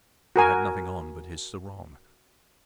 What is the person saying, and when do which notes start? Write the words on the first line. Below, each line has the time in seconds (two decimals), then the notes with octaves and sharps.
He had nothing on but his sarong.
0.36 F#4 A#4 G#5